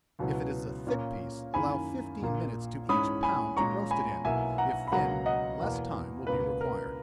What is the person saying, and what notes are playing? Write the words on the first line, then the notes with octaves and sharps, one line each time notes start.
If it is a thick piece, allow fifteen minutes to each pound to roast it in--if thin, less time will be required.
C#2 B2 F#3 B3 E4
A#2 A#3 C#4
F#2 D#3 A#3 E4 G#5 B5
A#1 A#2 A#3
G#2 E3 G#3 C#4 E4 B5 D#6
G#5 B5
A#2 G#3 C#4 A#5 C#6
G#5 B5
B1 B2 F#3 A#3 E4 E5 G#5
F#5 A#5
B5
C#2 B2 F#3 A#3 F#5 A#5
D#5 F#5
E2 B2 A#3
C#2 B2 A#3 B4
A#4